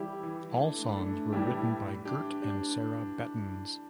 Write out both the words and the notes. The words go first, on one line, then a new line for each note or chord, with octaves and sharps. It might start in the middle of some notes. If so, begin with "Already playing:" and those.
All songs were written by Gert and Sarah Bettens.
Already playing: E3 G3 E4 G4
E3
A3 D4
A3 D4
A2 E3 G3 E4 G4
D4 G4
D4 G4